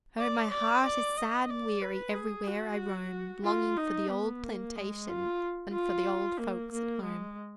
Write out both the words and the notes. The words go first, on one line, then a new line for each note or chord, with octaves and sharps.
'Oh my heart is sad and weary Everywhere I roam, Longing for the old plantation And for the old folks at home.'
D5
D5
D5
D#5
D5
B4
G#4
F#4
F4
D#4
B3
A#3
G#3
F4
F4
A#3
A#3
G#3